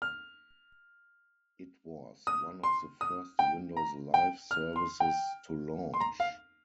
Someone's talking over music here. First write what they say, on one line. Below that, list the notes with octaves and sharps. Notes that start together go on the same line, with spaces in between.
It was one of the first Windows Live services to launch.
F6
D#6
C6
D#6
G5
A#5
G5
F6
C6
G5
C6
A#5
F5